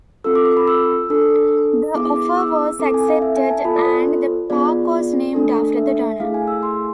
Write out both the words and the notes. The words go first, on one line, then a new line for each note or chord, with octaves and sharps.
The offer was accepted and the park was named after the donor.
C4 F4 A4 E6
D6
D6
B5
E6
D4 A4
B3 E4 G#4 D6
D6
E6
C4 E4 A4 D6
G#5
F5
E5
G#5
A5
B3 F4 A4 B5
D5
C5
C5
B3 F4 G#4 D5
A3 D4 A4
E5
A3 E4 G#4 F5
G#5
E6
C6